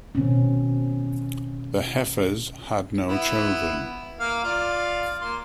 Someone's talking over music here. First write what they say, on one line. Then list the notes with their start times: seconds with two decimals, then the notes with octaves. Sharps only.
The Heffers had no children.
0.15 B2 D#3 C4 C#4
3.09 B3 E4
4.20 A#3 F5
4.44 F4 D5 F5
5.22 A#3 C6